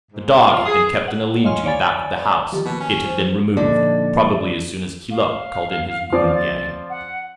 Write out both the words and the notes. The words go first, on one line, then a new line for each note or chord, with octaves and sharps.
The dog had been kept in a lean-to back of the house; it had been removed, probably as soon as Keeluk called in his goon-gang.
G#2
F4
G#4
F#5
C#5 D#5 F5 G#5 C6 F6
C#5 D5 F5 G#5 B5 A6
D#3 F3 G4
D#2 B2 F5 A5
C#4
F3
A#2 D3 F3 D#4 D5
F5
F3 C4 D5
A6
F#5